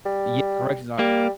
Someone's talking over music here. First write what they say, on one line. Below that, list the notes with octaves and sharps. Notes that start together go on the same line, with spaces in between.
yeah, corrections are
G3
G3 A#3